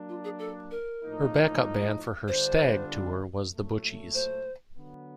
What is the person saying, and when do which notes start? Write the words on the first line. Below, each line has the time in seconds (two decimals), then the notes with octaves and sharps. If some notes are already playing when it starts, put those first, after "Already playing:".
Her backup band for her "Stag" tour was The Butchies.
Already playing: F#3 A#3 D4
0.09 F4
0.24 G#4
0.39 A4
0.71 A#4
1.03 A2 F3 A#3 D#4
2.27 D3 G3 B3 D4 F4 C5
3.53 A#2 F#3 A3
4.14 C5
4.77 D3 F#3 B3